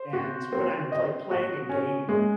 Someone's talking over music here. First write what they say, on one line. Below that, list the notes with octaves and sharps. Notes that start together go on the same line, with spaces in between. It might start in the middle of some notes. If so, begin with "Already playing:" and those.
and when I'm, like, playing a game,
Already playing: C5
F#4
C4
D#5
F#4
C#4
G#3